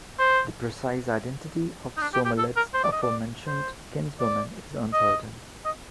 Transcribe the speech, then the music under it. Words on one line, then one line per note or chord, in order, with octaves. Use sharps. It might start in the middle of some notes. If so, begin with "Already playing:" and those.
The precise identity of Somerled's aforementioned kinswoman is uncertain.
C5
D#4
D4
G4
G4
A4
A#4
C5
D5
D#5
D5
C5
D5
D#5
D#5